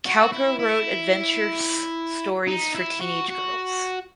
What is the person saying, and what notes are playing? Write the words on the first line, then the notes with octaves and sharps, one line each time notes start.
Cowper wrote adventures stories for teenage girls.
F#4
E4
E4
D#4
E4
F#4
F#4